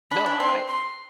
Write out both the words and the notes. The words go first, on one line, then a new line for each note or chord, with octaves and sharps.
No, I
D4 B5
D4
C4 C6
C6